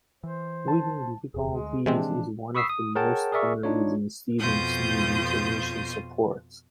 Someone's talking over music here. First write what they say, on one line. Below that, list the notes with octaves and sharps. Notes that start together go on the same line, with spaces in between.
Reading difficulties is one of the most common reasons students need intervention support.
E3 C5
A5
D#1 E2 G#4
D2 G#3
C3 E3 F3 G#3 C4 D4
B5 C#6 D#6 E6 B6 C7
D#6
G#4 A#4 C#5 F#5 G5 A5
G#4 A#4 D5 E5 C#6
D4 D#4 F4 C#5
F2 B2 F4 C5 D#6 G6